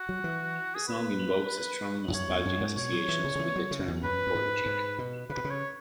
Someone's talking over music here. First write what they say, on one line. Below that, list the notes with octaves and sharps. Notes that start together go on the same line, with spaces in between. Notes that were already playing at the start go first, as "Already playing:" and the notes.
The song invokes strong nostalgic associations with the term Poruchik.
Already playing: F#4
F#3
E3
G#4
B4
E2
F#2 C#5
E2
F#2
G#2
B2 C#5
F#3
E3
C#3
C#3
E3
F#3
C#3
F#2
E2
F#2 B4
F#2
G#2
G#2
B2
C#3 B4
B2
C#3
C#5